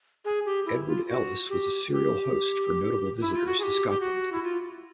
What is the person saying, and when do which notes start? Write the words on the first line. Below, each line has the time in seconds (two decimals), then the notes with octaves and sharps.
Edward Ellice was a serial host for notable visitors to Scotland.
0.25 G#4
0.46 G4
0.66 E4
0.87 F4
1.08 F#4
1.49 G4
1.92 G4
3.21 E4
3.34 F4
3.46 F#4
3.60 G#4
3.63 G4
3.89 G4
4.00 F#4
4.32 E4
4.43 F4